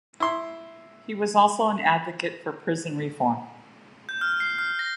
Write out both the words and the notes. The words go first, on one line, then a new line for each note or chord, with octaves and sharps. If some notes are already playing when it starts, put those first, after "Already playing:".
He was also an advocate for prison reform.
E4 C6
G6
F6
C7
F6
A#6